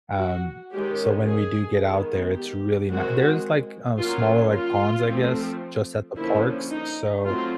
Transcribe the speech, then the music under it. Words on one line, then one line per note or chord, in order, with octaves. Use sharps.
um so when we do get out there, it's really not there's, like, uh, smaller, like, ponds, I guess? Just at the parks, so,
F#4
D#3 G#3 C#4 G4
G#4
D#3 G#3 B3
G4
D#3 G#3 C4 F#4
F#3 A#3 C#4 F4
F4
F3 A3 C4
D3 F3 A#3 C#4 E4
D#4
F#3 A3 C4 F4